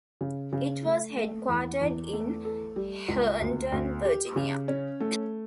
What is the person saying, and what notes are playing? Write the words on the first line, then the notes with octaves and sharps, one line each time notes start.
It was headquartered in Herndon, Virginia.
C#3
C#3
A3
A3
E2
E2
A3
A4
G3
C#2
D2
D2
G4
C#3
C#4
A3